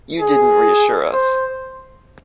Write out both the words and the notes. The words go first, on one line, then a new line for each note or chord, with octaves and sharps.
You didn’t reassure us.
G#4
C5